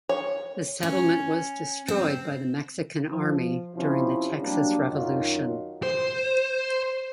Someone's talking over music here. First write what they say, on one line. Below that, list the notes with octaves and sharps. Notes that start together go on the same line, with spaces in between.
The settlement was destroyed by the Mexican army during the Texas Revolution.
C#5
C#4
C4
F3
C3 F3 C#4 E4
F#3 G3 A#3 D4
F#2 D#3 F#3 D#4 F4
C5